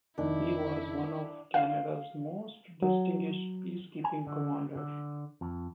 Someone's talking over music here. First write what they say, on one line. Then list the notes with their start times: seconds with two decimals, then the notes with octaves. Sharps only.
He was one of Canada's most distinguished peacekeeping commanders.
0.18 F1 D#3 D4 E4
1.54 F5
2.82 F#3
4.04 G#5
4.27 D3
4.76 D3
5.41 F2